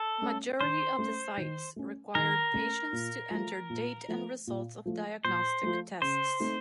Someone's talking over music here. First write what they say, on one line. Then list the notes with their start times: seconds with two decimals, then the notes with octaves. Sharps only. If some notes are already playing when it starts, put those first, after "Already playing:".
Majority of the sites required patients to enter date and results of diagnostic tests.
Already playing: A4
0.22 A3 C#4
0.60 D#3 C5
0.98 A3 C#4
1.37 D#3
1.76 A3 C#4
2.15 D#3 A#4
2.54 A3 C#4
2.93 A#2
3.31 F3 A3
3.70 A#2
4.08 F3 A3
4.47 A#2
4.86 F3 A3
5.25 A#2 C5
5.63 F3 A3
6.02 C#3 C5
6.40 A3 C4 D#4